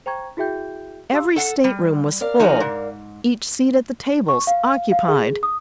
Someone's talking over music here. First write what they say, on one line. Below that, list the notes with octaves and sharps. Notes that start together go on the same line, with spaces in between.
Every stateroom was full; each seat at the tables occupied.
C5 G5 A#5 C#6 G#6
E4 F#4 G#4 E5 G5 G6
G4 F5 C6 E6
A4 F#5
G3
A#4 D5 F5
F3 D#4 F#4
G#2
C#6
F5
F5
G#4
D#6